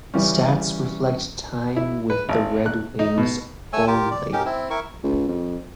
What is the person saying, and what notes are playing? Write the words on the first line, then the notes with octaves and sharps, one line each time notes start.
Stats reflect time with the Red Wings only.
C#3 E3 G3 C#4
E4
B4
G#1
F#6
D#4
B2
A3 C#5 G#5 E6
F4 G4 A#4
D5
C#4 D#4 G4 A#4
C4 E4
E4 A#4 C#6
C#2
F2